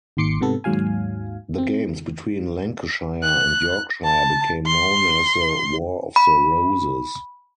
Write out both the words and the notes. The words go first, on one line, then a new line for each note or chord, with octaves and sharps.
The games between Lancashire and Yorkshire became known as the "War of the Roses".
G#1 D#2 C6 D6 C7 C#7
G#2 C3 B3 A4
D#2 G#2 F#3 F5 G#5
C4
F#6
A5
C6
B5